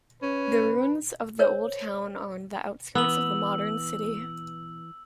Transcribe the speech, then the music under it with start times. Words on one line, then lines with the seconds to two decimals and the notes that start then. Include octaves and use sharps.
The ruins of the old town are on the outskirts of the modern city.
0.22 C#4 B4
1.39 A#4 C5 C#5
2.95 E3 B3 E6 F#7